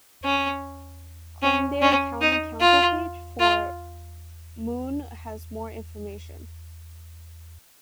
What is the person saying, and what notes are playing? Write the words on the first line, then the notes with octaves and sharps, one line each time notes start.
Kildare County Council page for Moone has more information.
C#4
C#4
C#4
D#4
F4
F4